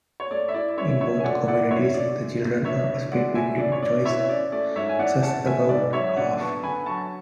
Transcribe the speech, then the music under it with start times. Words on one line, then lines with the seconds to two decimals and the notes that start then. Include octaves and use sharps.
In both communities, the children are split between choices about half.
0.20 C#5
0.31 A3 D5
0.48 E5
0.54 E4 D5
0.77 C#4 C#5 E5
1.01 D3 C#5 E5
1.20 G#5
1.24 A3 D5 F#5
1.48 E4 D5 F#5
1.64 F#5
1.71 C#4 C#5 E5
1.94 D3 D5
2.18 G#3
2.42 A2
2.65 D4 C#5 E5
2.88 A2
3.12 G#3 D5 F#5
3.35 A2 E5 G#5
3.58 D4 D5
3.72 C#5
3.82 A2 D5
4.05 E3 C#5 E5
4.29 C#4 D5
4.52 A3 D5
4.76 G#2 C#5 E5
4.89 G#5
4.99 E3 D5 F#5
5.23 C#4 F#5 A5
5.46 A3 E5 G#5
5.69 G#2 D5
5.93 F#3 C#5 E5
6.17 D3 D5 F#5
6.39 B3 A5 C#6
6.63 D3 G#5 B5
6.86 F#3 A5 C#6